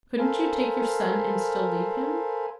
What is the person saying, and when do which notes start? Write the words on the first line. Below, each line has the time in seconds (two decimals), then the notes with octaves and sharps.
"Couldn't you take your son, and still leave him?"
0.19 A4 A#4 C5 F5 G#5 B5